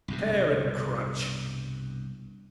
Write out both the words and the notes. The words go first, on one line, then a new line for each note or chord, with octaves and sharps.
Tear and crunch!
C2 G2 B2